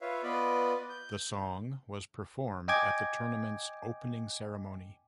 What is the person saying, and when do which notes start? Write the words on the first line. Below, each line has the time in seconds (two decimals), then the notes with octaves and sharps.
The song was performed at the tournament's opening ceremony.
0.01 F4 B4 C#5 E5 F5
0.23 B3 F4 B4 D5 D#5 B5
0.89 G6
2.68 D#5 G5 G#5 D6 G#6